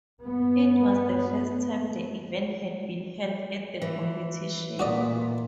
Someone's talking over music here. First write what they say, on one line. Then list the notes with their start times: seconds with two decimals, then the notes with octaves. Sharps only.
It was the first time the event had been held at the competition.
0.20 G2 B3
3.82 E3
4.79 A#2 F#4 D5 D#5